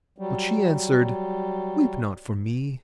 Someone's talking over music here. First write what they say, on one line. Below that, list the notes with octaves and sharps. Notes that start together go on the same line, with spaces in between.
But she answered, 'Weep not for me.
F#3 G3